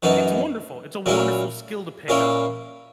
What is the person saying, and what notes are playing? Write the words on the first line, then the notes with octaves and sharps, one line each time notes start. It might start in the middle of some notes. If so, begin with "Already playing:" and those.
It's wonderful. It's a wonderful skill to pick up,
F#2 E3 B3 D#4
A#2 F#3 C#4 E4
A#2 A#3 C#4 E4